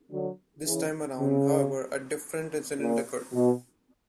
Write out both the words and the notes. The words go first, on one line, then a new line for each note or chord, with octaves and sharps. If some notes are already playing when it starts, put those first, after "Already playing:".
This time around, however, a different incident occurred.
D3 F#3
C#3 E3
C#3
A#2
B2